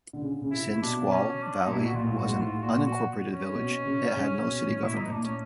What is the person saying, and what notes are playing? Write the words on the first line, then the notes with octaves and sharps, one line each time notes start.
Since Squaw Valley was an unincorporated village it had no city government.
D3
C#3
C#3
C3 E4
B2 D4
C#4
D4
B2 D#4
A#2 E4
F#4
A#2 F4
A2
F#4
G#2
A2
F4
A#2 F#4
F#4
C#4
B2
C#3
C#3
B2
A2
A#2
E4
D#4
A2
A#2 D4
A2
C#4